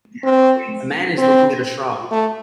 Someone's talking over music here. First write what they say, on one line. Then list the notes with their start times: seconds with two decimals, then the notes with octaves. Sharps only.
A man is looking at a shrub.
0.24 C4
1.18 C4
2.11 A3